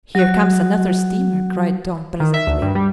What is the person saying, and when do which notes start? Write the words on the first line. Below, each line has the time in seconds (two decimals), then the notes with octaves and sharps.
"Here comes another steamer!" cried Tom presently.
0.15 F#3 F#4
2.20 D#3
2.34 E5
2.47 D2
2.62 G2
2.75 G3